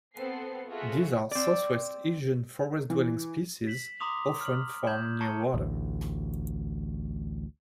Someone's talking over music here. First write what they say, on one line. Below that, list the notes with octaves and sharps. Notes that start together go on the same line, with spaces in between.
These are southeast Asian forest-dwelling species, often found near water.
B3 C4 A4 C7
F4 F#4 G#4 A4 E5
C4 D5
E3
B6 E7 F#7
A#5 C6 D6 D#6 F7 F#7
F6 F#7
G6 G#6 E7 F#7
A5 A#5 C#6 G#6 C#7
A1 D2